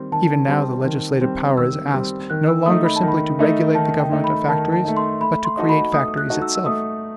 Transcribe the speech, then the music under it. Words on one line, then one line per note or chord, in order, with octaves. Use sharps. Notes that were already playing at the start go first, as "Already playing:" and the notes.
Even now the legislative power is asked, no longer simply to regulate the government of factories, but to create factories itself.
Already playing: D#3 G3 C4
D#3 A5
G3 C4
D#3
G3 C4
D#3 E6
G3 C4
D#3 F#6
E6
A3 D#4 D#6
B5
A5
D#3 B5
A3 D#4
D#3 A5
G5
A3 D#4
B5
D#3 A5
A5
A3 D#4
C6
A3 B5
C6
D#4 F#4 A4 D#5
B5
A3 D#6
F#6
D#4 F#4 A4 D#5
E6
E6
A3 D#6